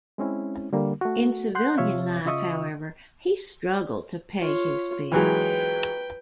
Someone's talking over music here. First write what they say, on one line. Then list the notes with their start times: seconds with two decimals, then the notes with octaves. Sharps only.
In civilian life, however, he struggled to pay his bills.
0.18 G#3 C4 C#4 E4
0.73 D3 G3 A#3
1.01 A3 F#4
1.55 F#5 C6 F#6 G6
1.78 C3 F3 F4 C#5 E5 F5
2.26 C#3 F4 D#5 E5 C#6 D#6
4.42 F4 C#5
5.12 E3 F#3 G#3 B4 G5